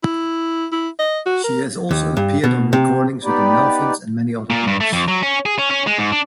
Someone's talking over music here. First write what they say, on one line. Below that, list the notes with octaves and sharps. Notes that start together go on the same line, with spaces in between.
She has also appeared on recordings with The Melvins and many other groups.
E4
E4
D#5
F#4
A#4
D#2
G2
B2
C3
B3 D#4 G4 B4 D5
A#2
G2
A3
F2
F#3
C#4
G#4
C#4
C#4
G#3
G#2
D4